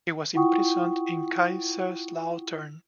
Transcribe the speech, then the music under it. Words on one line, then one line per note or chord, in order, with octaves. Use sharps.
He was imprisoned in Kaiserslautern.
E4 F4 F#5 G5 C#6 D#6